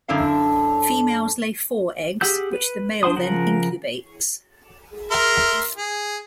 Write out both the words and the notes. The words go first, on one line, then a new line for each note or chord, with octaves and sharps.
Females lay four eggs, which the male then incubates.
F#2 D3 D4 E4 F5
G4 G#4 F#5 E6 G6
B4
D4 C5 F#5 C6 D#6
C#3 F3 A#4 F#5
A#4 E5 C6
G#4